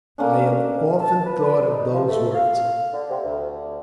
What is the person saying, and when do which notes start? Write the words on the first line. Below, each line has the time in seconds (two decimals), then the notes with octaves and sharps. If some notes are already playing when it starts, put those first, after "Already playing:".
I have often thought of those words.
0.18 D3 A#3 C#4 D4
1.00 A5
1.25 B4
1.54 D4
1.70 D#4
1.93 F3
2.08 A3
2.35 F5
2.92 D3
3.10 C3
3.24 D2